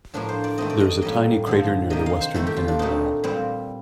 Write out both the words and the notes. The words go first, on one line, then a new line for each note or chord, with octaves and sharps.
There is a tiny crater near the western inner wall.
A2 F3 A#3 D4
C5
D5
D#3 A3 C4 D#5
D5
D#5
D5
A2 G3 A#3 D#5
D3 F3 C4
C3 D#3 A#3 D#5
F5
C5
D#3 A3 C4 A4
G4
F4
D4
A#2 A3 C4 D#4
A#2 G3 C4